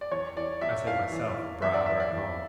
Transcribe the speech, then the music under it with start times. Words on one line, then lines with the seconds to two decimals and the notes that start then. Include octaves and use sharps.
I said myself, abroad or at home.'
0.01 D5
0.11 E2 C#5
0.36 E3 D5
0.61 E2 E5
0.87 E3 F5
1.12 E3
1.38 E3
1.62 E2 E5
1.74 D5
1.86 E2 E5
2.00 D5
2.13 E2